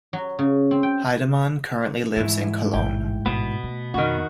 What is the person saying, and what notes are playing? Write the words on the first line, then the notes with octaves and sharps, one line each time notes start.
Heidemann currently lives in Cologne.
F#3
C#3
C4
G5
G#2 E3 E4
E1 A1 G5
A1 B2 B3
A3
F2 D#3 F#4